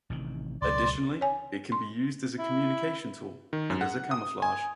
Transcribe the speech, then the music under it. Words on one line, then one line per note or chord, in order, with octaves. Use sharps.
Additionally, it can be used as a communication tool and as a camouflage.
A1 C3 D#3
C#2 B2 F#3 D5 C6
C#5 G#5
C6
E4
D#3
F#2
F#5
D#6
G#5